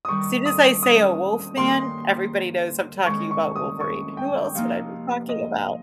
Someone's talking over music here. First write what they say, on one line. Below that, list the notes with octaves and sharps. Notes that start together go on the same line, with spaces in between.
Soon as I say a wolf man, everybody knows I'm talking about Wolverine, who else would I be talking about?
D#6
G2 D#3 G3 C#6
D#6
D#6
G2 D#3 A#3 C#4 G4 C6
D#3 G#3 C#4 C#6
C#6
D#6
C#6
G5
C3 F3 A#3 D#4 F5
D#5